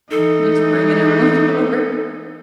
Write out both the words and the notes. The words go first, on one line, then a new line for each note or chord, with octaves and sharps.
just bringing everyone over.
E3 D#4 A4